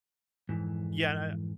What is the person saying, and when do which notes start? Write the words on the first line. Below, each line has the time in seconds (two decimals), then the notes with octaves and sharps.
yeah, and, I
0.49 F2 G#2 E3